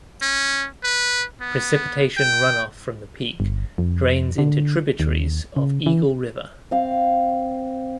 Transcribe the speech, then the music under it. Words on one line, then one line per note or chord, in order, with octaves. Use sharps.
Precipitation runoff from the peak drains into tributaries of Eagle River.
C#4
B4
B3
G5
G1
F2
D3
D#2
C#3
E3
C4 F5